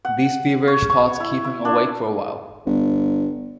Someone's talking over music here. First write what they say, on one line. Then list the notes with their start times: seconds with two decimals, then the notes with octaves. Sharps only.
These feverish thoughts keep him awake for a while.
0.05 F#5
0.68 C#5
0.90 C#6
1.20 E4
1.44 E4
1.65 D4
2.66 G1